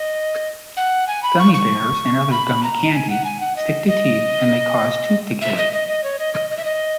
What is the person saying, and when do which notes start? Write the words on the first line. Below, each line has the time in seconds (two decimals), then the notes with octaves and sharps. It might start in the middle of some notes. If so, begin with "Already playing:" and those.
Gummy bears, and other gummi candy, stick to teeth and may cause tooth decay.
Already playing: D#5
0.77 F#5
1.07 G#5
1.23 B5
1.39 C#6
1.54 C#6
2.31 B5
2.63 A#5
2.94 G#5
3.10 F#5
3.25 G#5
3.40 F#5
3.56 D#5
3.87 D#5
5.41 E5
5.57 D#5
5.73 D#5
5.88 D#5
6.04 C#5
6.19 D#5
6.34 D#5
6.50 D#5
6.57 E5
6.65 D#5